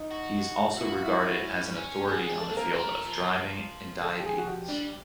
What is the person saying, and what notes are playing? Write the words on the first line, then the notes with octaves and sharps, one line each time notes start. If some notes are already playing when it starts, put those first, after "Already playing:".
He is also regarded as an authority on the field of driving and diabetes.
Already playing: D#4
F#4
E4 F#4
F4
E4
C#4
C#4
B3 G#4
G4
G#4
D4
A4
A#3 A4
A#4
A3 A#4
F3
A4
G4
G#4
F#4
G4
G3 D4